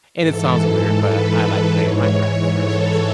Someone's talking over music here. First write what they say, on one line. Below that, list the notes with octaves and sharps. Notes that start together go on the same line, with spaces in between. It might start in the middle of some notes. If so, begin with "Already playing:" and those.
and it sounds weird, but I like playing Minecraft, for instance,
G#2 E3 A4
B4
G#2 E3 C#5
A4